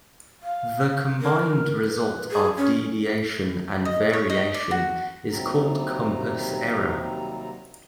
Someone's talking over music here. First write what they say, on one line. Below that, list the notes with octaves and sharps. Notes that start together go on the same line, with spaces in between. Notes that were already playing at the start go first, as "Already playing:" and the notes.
The combined result of Deviation and Variation is called Compass Error.
F5
A#4
B4
G#4
C#4
D#5
C#5
D#5
D5
F#4
D#2 C3 F#3 G3 C4 A#5